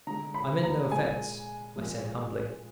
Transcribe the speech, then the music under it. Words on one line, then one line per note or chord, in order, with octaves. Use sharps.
"I meant no offence," I said humbly.
D3 G#3 A#5
B5
A#5
A#2 G#3 G#5
A#2 F3 G#3